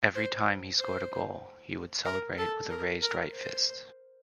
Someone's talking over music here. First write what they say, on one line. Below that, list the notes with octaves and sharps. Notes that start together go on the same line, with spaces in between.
Every time he scored a goal he would celebrate with a raised right fist.
C5
C5
A#4
A4
A#4
A#4
C5